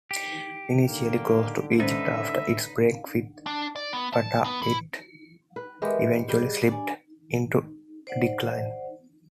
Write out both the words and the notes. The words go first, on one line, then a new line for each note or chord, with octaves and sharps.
Initially close to Egypt after its break with Fatah, it eventually slipped into decline.
G4
D3 A#3
G#3 C#4 D#4 B4 C5 E5
D4
D5
B3
A5
B3
E4
B4
G#3 B3 G4 A#4 B4 E5
G3 G#4 C5 D#5
D4 D5 G#5
C5 D5 F#5